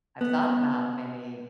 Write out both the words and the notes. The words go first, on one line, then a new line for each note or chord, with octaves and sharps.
I've thought about maybe
B3